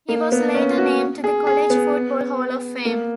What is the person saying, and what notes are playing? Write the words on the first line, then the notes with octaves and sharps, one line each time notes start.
He was later named to the College Football Hall of Fame.
A#3
B3
C#4
F#4
G#4
G#4
B3
A#3